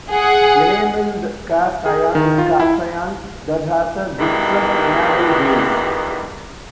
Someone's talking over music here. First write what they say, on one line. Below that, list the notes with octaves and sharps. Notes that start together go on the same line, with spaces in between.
Enameled cast iron is cast iron that has a vitreous enamel glaze.
G#4 F#5
G#4
D#3
F4
E4
G2 B2 D#3 E3 G3 G#3